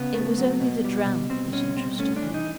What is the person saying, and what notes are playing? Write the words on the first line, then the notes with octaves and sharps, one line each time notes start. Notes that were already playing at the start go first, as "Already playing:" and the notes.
It was only the drowned that interested him.
Already playing: C#3 B3
A3
F#3
B2
G3
B2
G3 C4
B2 C#4
G3 C4
A3 C#4
D4
E3
D#4